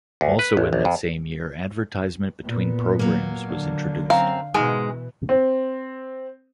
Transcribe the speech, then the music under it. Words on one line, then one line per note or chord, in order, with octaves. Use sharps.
Also in that same year advertisement between programmes was introduced.
D2
B4
A1
A#1
F2
A#2 B3
F#3 A#3
D3
F#2 C4 F5 A#5
G#2 B2 E3 G#3 G#5
C4